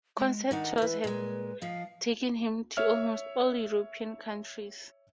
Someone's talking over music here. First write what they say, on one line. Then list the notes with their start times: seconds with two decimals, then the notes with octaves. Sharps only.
Concert tours have taken him to almost all European countries.
0.18 G#3
0.51 D#3 D4 D#4 F#5
0.78 E3 B4 E5
1.04 A#2 G#3
1.62 F3 D#5 F5
2.77 C#5 E5 F6